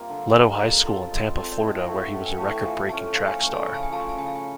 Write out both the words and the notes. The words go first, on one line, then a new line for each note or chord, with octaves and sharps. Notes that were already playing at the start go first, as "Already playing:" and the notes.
Leto High School in Tampa, Florida where he was a record-breaking track star.
Already playing: G3 A#3 C4 F4 E5
D3
G3 A#3
G#3 D5
C4 F4 A4
G#3
C4 F4 A4
D5
A2 D#5
F5
E3 A3
F#5
A2 F#5
G#5
E3 A3 F#5
G5
F3 G#5
A3 C#4 A5
F3 A5
G#5
A3 C#4 G#5
A5
C#3 G#5
A5
G#5
F3 A3 A5
G#5
A5
C#3 G#5
A5
G#5